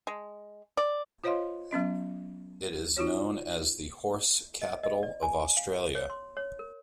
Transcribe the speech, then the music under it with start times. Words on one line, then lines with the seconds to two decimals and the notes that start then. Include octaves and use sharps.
It is known as the 'Horse capital of Australia'.
0.07 G#3
0.77 D5
1.24 F4 C5 C#5 D#5 F5 C6
1.71 F#3 B3 C#4 D#5
2.97 D#4 F4 F#4 C#5
4.62 D#5
4.83 D#5
5.03 D5
5.22 G#5
5.57 F5
5.95 C#5
6.10 C6
6.37 C#5
6.59 A#4